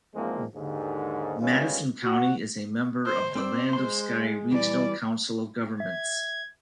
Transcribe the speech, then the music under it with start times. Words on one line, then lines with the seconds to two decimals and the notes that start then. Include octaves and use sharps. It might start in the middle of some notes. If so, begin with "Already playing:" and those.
Madison County is a member of the Land-of-Sky Regional Council of governments.
0.15 E2 G#2 F3 G#3 A#3 C4
0.55 D#2 G#2 D3
1.41 D#3 G3 G#3 B3 C#4 F4
2.04 F#4
3.06 C5
3.35 C4 C5 D5 E6
3.73 G#3 C6
4.52 E3 G3 D5
5.80 E5 G#6